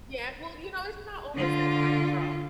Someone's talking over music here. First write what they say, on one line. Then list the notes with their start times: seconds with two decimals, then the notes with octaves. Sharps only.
Yeah, well, you know, it's not always that cut-and-dry.
1.35 D3 F4